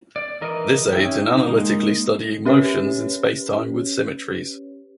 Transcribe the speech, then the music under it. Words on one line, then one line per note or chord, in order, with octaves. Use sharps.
This aids in analytically studying motions in a spacetime with symmetries.
D5
E3 A#4 D#5
C#4 D#4 E4 G4
D#4
G#3 A#3 D#4
C#4 G4 B4 C#5